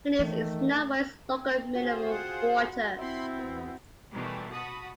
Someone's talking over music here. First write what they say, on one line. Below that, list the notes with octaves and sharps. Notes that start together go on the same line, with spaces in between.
Henniez is known for its local mineral water.
D#3 E3 A3
C4 G#5
F4 F#4 G#4 C5
F#5
B5 C6
C4 E4 E5 B5 C6
E2 B3 C5
B2 D#3 E3 G3 A3
F#4 A5 B5 D#6